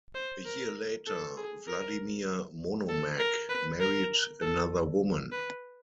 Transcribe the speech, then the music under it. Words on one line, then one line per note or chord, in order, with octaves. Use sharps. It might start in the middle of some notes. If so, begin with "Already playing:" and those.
A year later Vladimir Monomakh married another woman.
C5
A#4
A4
G#4
A#4
A4
A#4
B4
A#4
A4
B4